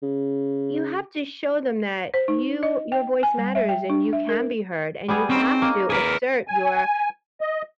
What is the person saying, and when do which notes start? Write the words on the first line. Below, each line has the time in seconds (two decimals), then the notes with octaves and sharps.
you have to show them that you your voice matters, and you can be heard, and you have to assert your
0.03 C#3
2.14 C5
2.28 D#4
2.63 D#5
2.92 G5
3.23 G#5
3.38 G3
3.55 E5
3.69 G5
3.90 D4
4.13 E5
4.29 A#4
5.08 G3 B3 G#4
5.30 C4 C#4 D#4
5.62 A#3 D#5
5.90 A#3 G#4 A#4 B4
6.48 G#5
7.41 D#5